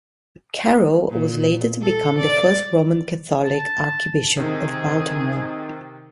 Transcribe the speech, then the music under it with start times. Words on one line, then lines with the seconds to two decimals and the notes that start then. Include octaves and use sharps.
Carroll was later to become the first Roman Catholic archbishop of Baltimore.
1.10 A#2
1.82 A4
2.19 D5
3.44 A5
4.37 C3 D#3 G#4